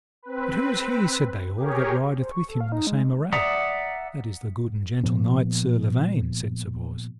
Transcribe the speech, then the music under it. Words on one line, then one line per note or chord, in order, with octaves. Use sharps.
But who is he, said they all, that rideth with him in the same array? That is the good and gentle knight Sir Lavaine, said Sir Bors.
C4 B4
G4 G#4 A#4 C#5
C5
C#6
A4
F5
D#4
G#3
D5 E5 F#5 A#5 D#6
A#2 F3 B3